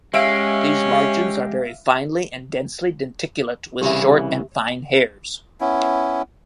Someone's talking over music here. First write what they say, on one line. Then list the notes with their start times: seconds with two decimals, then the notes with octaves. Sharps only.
These margins are very finely and densely denticulate with short and fine hairs.
0.14 G#3 C#4 G4 E5 F5 D7
3.81 C2 C#3 E3 G4 E5
5.61 B3 C#4 E4